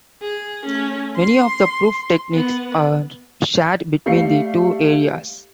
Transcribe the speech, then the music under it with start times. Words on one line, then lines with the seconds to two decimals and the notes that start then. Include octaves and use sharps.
Many of the proof techniques are shared between the two areas.
0.22 G#4
0.65 A3 C#4
1.17 C6
2.33 B3
4.06 G3 A3 F5 C7 C#7